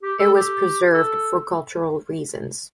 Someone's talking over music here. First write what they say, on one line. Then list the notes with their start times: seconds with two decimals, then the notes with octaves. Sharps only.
It was preserved for cultural reasons.
0.03 G4
0.19 A4
0.34 G4
0.94 A4